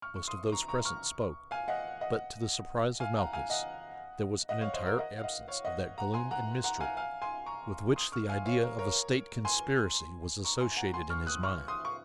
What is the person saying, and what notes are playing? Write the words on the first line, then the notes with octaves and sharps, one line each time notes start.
Most of those present spoke, but, to the surprise of Malchus, there was an entire absence of that gloom and mystery with which the idea of a state conspiracy was associated in his mind.
C#6 F6
C#6
C6 D#6
A#5 C#6
A#5 C#6
C#6 F6
F5 G#5
D#5 F#5
D#5 F#5
F5 G#5
F#5 A#5
F5 G#5
D#5 F#5
D#5 F#5
C#5 F5
C5 D#5
A#4
D#5 F#5
F5
D#5 F#5
C#5 F5
D#5 F#5
F#5 A#5
G#5 C6
F#5 A#5
F#5 A#5
F5 G#5
F5 G#5
G#5 C6
A#5 C#6
C6 D#6
C#6 F6
F5 G#5
C#5 F5
A#4
A#4 C#5
G#5 C6
A#5 C#6
G#5 C6
F#5 A#5
G#5 C6
C#6 F6
D#6 F#6
C#6 F6
C6 D#6
C#6